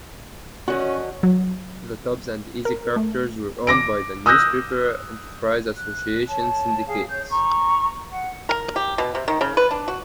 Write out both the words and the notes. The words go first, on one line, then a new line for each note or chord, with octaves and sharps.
The Tubbs and Easy characters were owned by the Newspaper Enterprise Association syndicate.
D3 D#3 C#4 F#4
F#3
A#4
A3
D6 A#6 D7
D#6 E6 F#6 G6 A#6
F#6
C#5 A5
G#4 F5
C#5 G6
A#5 C#6
F#5
A#4
G4
B2
C3
D#3
C#3
B4
D4
F#4